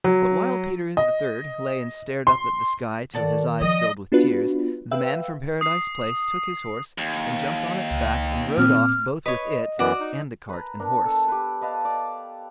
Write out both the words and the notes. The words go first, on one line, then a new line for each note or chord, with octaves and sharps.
But while Peter the third lay and stared up at the sky till his eyes filled with tears, the man from Paradise Place took his horse and jumped on its back and rode off both with it and the cart and horse.
F#3
D#5
C6
D#3 F#4 A4 D5
F3 G3 D#5
B3 D4 F4 F#4 B4
B4 E5 F5 G5 E6
D#6 C7
D#2
C#2
A#2 C4 D6 F6
B4 C#5 D#5
F#2 E3 B3 F#4 D5
D#4
B4 A#5
B3 D4 A#4
A4
G4 B4
B4 D#5 F5 A5
D5